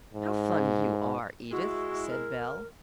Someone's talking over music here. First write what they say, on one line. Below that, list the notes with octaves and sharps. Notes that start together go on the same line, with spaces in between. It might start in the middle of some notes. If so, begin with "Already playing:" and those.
"How funny you are, Edith," said Belle.
G#2
G#3 E4 F#4
A#4